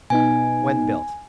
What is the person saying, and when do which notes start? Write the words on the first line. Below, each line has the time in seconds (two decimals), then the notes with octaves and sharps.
When built?
0.10 B2 B3 D#4 G#5